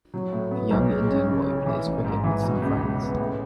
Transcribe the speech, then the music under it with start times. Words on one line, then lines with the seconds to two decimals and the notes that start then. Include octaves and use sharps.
A young Indian boy plays cricket with some friends.
0.14 F#3
0.32 A2
0.51 B3
0.71 B1
0.90 G#3
1.09 C#4
1.28 C#3
1.47 C#3
1.66 E3
1.86 A1
2.05 G#2
2.24 E3
2.43 B2
2.62 C#2
2.81 C#2
3.00 B3
3.19 A2